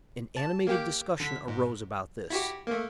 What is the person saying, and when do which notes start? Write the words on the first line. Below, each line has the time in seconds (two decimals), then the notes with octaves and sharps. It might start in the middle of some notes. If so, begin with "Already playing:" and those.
An animated discussion arose about this.
0.37 A5
0.67 A#3 G4 G5
1.20 D3 B6
1.48 G#2
2.30 E4 F#4 G4
2.67 A3 A#3